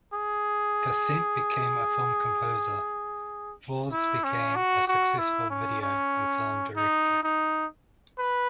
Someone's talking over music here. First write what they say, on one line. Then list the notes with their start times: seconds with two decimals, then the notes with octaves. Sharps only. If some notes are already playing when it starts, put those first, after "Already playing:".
Dasent became a film composer, Flaws became a successful video and film director.
0.14 G#4
3.92 E4
4.24 C#4
4.56 F#4
4.87 F#4
5.18 E4
5.50 C#4
5.82 C#4
6.77 D#4
7.23 D#4
8.18 B4